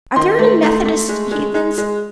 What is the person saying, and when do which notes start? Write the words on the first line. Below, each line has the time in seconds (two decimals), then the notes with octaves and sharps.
Are there any Methodist heathen?
0.16 D#3 C6
0.39 A3
0.63 A3
0.85 A3
1.09 G#3
1.31 G#3
1.54 G#3
1.78 G#3